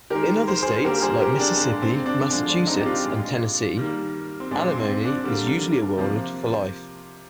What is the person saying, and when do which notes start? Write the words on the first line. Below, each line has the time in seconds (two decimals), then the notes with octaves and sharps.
In other states, like Mississippi, Massachusetts and Tennessee, alimony is usually awarded for life.
0.10 D#3 G#3 G4 A#4
0.48 C5
0.63 G#4 C5
0.84 D3 G3 A#3 G4 A#4
1.02 G#4 C5
1.21 G4 A#4
1.40 D4
1.57 A#2 G#3 D4
1.82 C4
2.06 D4
2.31 D3 F3 G#3 D4
2.50 D4
2.67 C4 D#4
2.81 G4
2.86 D4 F4
3.04 A#2 G#3
3.77 D#3 G3 A#3
4.40 C4
4.51 A#2 G#3 D4
4.69 C4
4.87 C4
5.05 D4
5.24 D3 G3 A#3
5.98 C3 F3 A#3